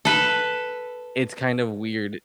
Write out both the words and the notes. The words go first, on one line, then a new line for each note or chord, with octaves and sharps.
it's kind of weird
A4 B4